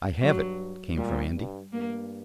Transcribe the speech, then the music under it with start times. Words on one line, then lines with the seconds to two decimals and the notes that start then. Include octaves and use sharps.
"I have it!" came from Andy.
0.22 G2 F#3
0.97 A#2 G3
1.35 G2
1.73 G2 A#3